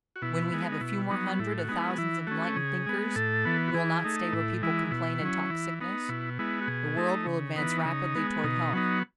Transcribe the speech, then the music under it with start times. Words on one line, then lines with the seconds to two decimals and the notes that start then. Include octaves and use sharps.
When we have a few more hundreds of thousands of enlightened thinkers who will not stay where people complain and talk sickness, the world will advance rapidly toward health.
0.16 F#4
0.22 B2 E4
0.52 G#3 B3
0.72 D#4
0.81 B2 E4
1.10 F#3 B3 D#4
1.39 A2 E4
1.58 F#4
1.68 G#3 B3 D#4
1.78 E4
1.90 F#4
1.98 E3 E4
2.27 A3 C#4 F#4
2.56 C#3 G#4
2.86 G#3 B3
3.16 A2 A4
3.45 E3 B3
3.68 F#4
3.74 E3 G#4
4.04 A3 D#4
4.33 A2 E4
4.62 E3 G#3 E4
4.91 B2 E4
5.21 F#3 C#4
5.50 E3
5.81 B3 D#4
6.09 B2 E4
6.39 G#3 B3 E4
6.62 F#4
6.67 B2 G#4
6.97 A3 D#4
7.26 C#3
7.56 E3 B3 D#4 B4
7.85 C#3 D#4
8.15 G#3 B3
8.44 B2 D#4
8.73 F#3 B3 D#4